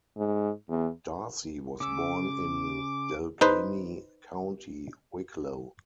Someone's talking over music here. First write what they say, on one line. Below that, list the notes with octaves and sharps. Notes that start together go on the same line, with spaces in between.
Darcy was born in Delgany, County Wicklow.
G#2
E2
C#3 C#4 D6 E6
D#4 B4 C5